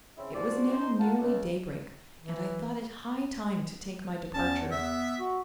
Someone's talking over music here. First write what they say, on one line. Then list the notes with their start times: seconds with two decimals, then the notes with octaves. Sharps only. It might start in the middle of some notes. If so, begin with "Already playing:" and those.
It was now nearly daybreak, and I thought it high time to take my departure.
0.17 C#3 C4 E4
0.34 G#2 F3 D4 F#4 C5 D5
0.72 D#4 C5
1.00 F4 F#4 A#4 F#5 A5
1.20 C#2
2.21 E3
4.34 E2 C#4 A5
4.71 B3 E5
5.19 F#4